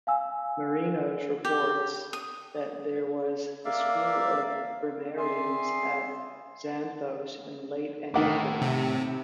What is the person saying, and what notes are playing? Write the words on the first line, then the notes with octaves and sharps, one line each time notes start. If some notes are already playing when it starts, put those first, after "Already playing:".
Marinos reports that there was a school of grammarians at Xanthos in late antiquity.
F5 G#5 E6
G4
D#6
A#3 D5 E5 F5
C4 G#4 D5 E5 C6
A2 D#3 F#5 D6
C3